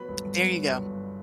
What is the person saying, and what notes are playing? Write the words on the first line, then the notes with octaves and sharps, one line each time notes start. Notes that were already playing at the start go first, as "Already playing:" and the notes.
There you go.
Already playing: F#3 B3 B4 B5
G1
G2
B3
F#3
G1
G2